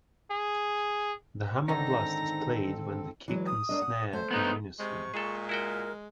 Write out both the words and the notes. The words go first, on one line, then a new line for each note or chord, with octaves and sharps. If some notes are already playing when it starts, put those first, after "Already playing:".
The hammer blast is played with the kick and snare in unison.
G#4
G#2 D3 D#3 C4 C#4 D#4 A4 A#5
E3 F#3 G#3
D#6
A#3 D4 D#5
F#5
A3 C5
B3 D#4
C3 G#3 C#6
A#2 G#3 G#4 A4
E4 F#4 A#4 G5